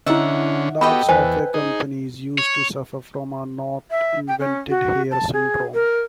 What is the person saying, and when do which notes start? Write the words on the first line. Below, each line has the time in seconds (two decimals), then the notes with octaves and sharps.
Large software companies used to suffer from a not invented here syndrome.
0.07 D3 C#4 E4 D#5 E5 F#5
0.81 B3 F#4 G4 A4 D#5 G5 B5
1.09 E2 B4 C5 G#5
1.54 D#4 G#4
2.38 C#5
3.91 E5
4.28 G5
4.40 C#4
4.70 F#4
5.11 A5
5.33 G#4
5.74 A#4